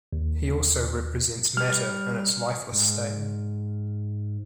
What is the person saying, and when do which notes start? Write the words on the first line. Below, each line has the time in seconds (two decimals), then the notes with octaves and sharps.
He also represents matter in its lifeless state.
0.13 D#2
1.57 G3 F6
2.73 G#2